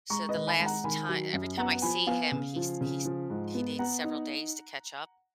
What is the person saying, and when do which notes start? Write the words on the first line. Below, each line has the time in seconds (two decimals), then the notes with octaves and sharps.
So the last ti every time I see him, he's he's he needs several days to catch up
0.10 G#3 A#5 C#6
0.29 B4 D#5
0.34 D#3
0.47 G#5 B5
0.60 G#3
0.66 F#5 A#5
0.84 D#3 G#5 B5
1.09 F#3
1.33 F#2
1.57 B3 F#5 A#5
1.82 F3 G#5 B5
2.07 B3 F5 G#5
2.32 C#3
2.56 F3
2.81 C#3
3.05 F3
3.30 G#2
3.55 B3
3.79 B3 F#5 A#5
4.04 D#4